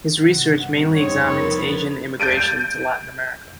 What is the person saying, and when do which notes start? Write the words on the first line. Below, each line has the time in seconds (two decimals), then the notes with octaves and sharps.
His research mainly examines Asian immigration to Latin America.
0.19 G2 C3 F#5
0.95 F2 C4 D#4 C#5 B5 A6
1.29 B3 A#4
2.20 G6 A6 D7 D#7